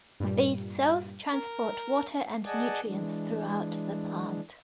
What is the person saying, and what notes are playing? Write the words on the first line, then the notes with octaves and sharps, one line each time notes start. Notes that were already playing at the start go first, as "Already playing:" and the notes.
These cells transport water and nutrients throughout the plant.
G2 A#2 G3
A#4
G#4 D5 D#5 F#5 G#5 A5
E3 G#3 D4